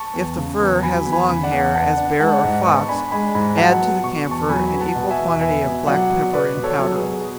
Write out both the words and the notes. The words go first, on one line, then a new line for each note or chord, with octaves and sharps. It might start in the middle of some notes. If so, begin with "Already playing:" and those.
If the fur has long hair, as bear or fox, add to the camphor an equal quantity of black pepper in powder.
Already playing: A5 C#6
E2
C#3
E2
F#3 G#5 B5
E2
G#5 B5
C#3
D5 F#5
E2
B3 F#5 A5
D4
G#3 F#5 A5
G#2
B3 A5 C#6
D4 G#5 B5
G#3 G#5 B5
G#2 G#5 B5
F#3 F#5 A5
B3
B2 C#6
E2 A5 C#6
F#3 G#5 B5
B3
F#5 A5
B2
E5 G#5
E2
B3 E5 G#5
B2
F#3 D5 F#5
B2
B3 B4 D5
B2
A4 C#5
F#3
G#4 B4
B2